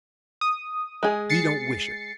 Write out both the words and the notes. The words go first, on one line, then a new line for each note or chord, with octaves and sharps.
We don't wish it.
D#6
G#3 G#4
A6 C7 C#7